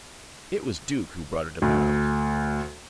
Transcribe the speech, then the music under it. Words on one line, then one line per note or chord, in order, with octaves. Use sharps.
It was Duke who brought it about.
D2